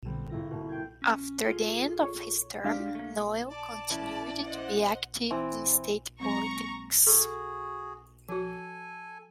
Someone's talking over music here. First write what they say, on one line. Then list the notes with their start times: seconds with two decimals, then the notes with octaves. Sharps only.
After the end of his term, Noel continued to be active in state politics.
0.05 D3 G3 B3 C4
0.30 G1 G#2 B3 E4 F4 A#6
0.51 B2 A#3
0.69 G5 C6 G6 G#6
1.02 C#4
1.44 F4 G#4 A4
2.03 C#5
2.64 G#3 D4 G4 D5 F5
2.95 A3 A#3
3.49 D5 A5
3.90 C#4 E4 B4
4.44 C5 D#5 F#5
5.31 E3 C4
6.20 F#3 G#3 C4 A#5 C#6
6.57 A#3
7.07 F#4 G#4 A4
8.29 F3 F#4 A4 G#5